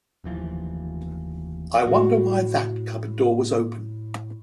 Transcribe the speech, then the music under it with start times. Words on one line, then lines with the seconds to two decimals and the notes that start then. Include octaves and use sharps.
I wonder why that cupboard door was open?
0.24 F1 D#2 E3 F3
1.86 A2 F#4